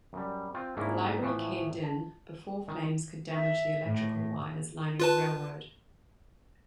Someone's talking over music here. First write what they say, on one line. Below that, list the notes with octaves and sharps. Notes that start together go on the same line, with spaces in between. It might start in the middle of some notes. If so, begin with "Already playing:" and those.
The library caved in before flames could damage the electrical wires lining the railroad.
F#2 G3
C4 F4 G5
G#2 A#3 C#4 D4 E4
A2 E3 F3 A3
A5
D#3
E5
A2
F4 B4 A5